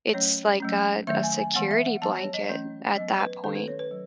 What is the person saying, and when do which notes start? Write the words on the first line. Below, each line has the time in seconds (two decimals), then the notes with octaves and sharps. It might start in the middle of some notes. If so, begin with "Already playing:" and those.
it's like a a security blanket at that point.
0.13 F#3 A3 C#4 C#5
0.60 F#3 A3 C#4
1.07 D#3 F#3 A3 E5
1.23 G#5
1.39 G#5
1.54 E3 G#3 B3 F#5
1.71 E5
1.86 F#5
2.02 F#3 B3 A5
2.17 C#5
2.34 D#5
2.49 E3 A3 C#4
2.96 F#3 B3 D#5
3.20 B4
3.43 D#3 A3 C#4 A4
3.56 B4
3.68 C#5
3.79 B4
3.91 F#3